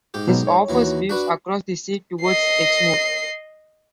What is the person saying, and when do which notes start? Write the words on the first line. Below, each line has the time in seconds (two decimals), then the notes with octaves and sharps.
This offers views across the sea towards Exmoor.
0.14 G#2 G4
0.28 B2 F#3 B3
0.47 C#5
0.69 D#2 E3 F#3
1.09 D4 F#4 B4
2.22 D#5 C7